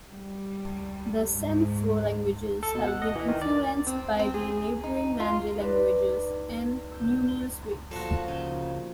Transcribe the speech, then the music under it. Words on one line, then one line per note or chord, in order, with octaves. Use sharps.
The Senufo languages have been influenced by the neighbouring Mande languages in numerous ways.
G3
G#2
A4
B2
F#5
D#5
E3
D#3
D5
C4
C4
G#4
D#4
F4
D#4 B4 D5
E6 G6
A#2 F3 F#4 A4
C#3 D#4